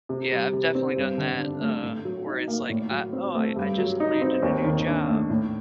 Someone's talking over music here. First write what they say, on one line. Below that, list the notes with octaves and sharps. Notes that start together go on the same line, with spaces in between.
Yeah. I've definitely done that, uh, where it's like, "Ah, oh, I I just landed a new job,"
C3
G3
C3
C4
G2
D3
D4
A3
A2
F#3
D#4
A#3
A2
F#3
C4
A3
G2
F#3
D#4
C4
D#2
D#3
D4
A3
A2